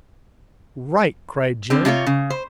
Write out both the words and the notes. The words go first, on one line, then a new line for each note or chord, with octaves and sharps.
"Right!" cried Jerry.
D3 C4
C3 D4 F4 C#5
C#3
C5